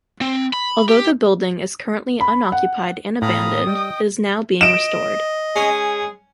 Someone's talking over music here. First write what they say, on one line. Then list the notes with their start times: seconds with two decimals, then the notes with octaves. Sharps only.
Although the building is currently unoccupied and abandoned, it is now being restored.
0.21 C4
0.53 B5
0.89 G4
2.21 B5
2.52 F#5
3.22 A2 F5 A#5 B5 D#6
3.67 G3 D#5 G5
4.61 D#5 D7 E7
5.56 G#3 C#4 G#4